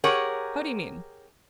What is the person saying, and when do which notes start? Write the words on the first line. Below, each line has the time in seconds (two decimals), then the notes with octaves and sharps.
How do you mean?
0.04 G4 G#4 A#4 C#5 F#5